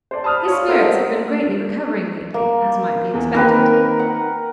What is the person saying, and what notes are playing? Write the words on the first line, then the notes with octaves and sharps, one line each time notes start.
His spirits had been greatly recovering lately as might be expected.
C5 D5 A5
A5 B5 D#6 F6
F4 C#5
G4 A4 A#4 C5 F5 F#5
A#3
E2
D#3 A#3 C4 A#4 B4 G5
F#5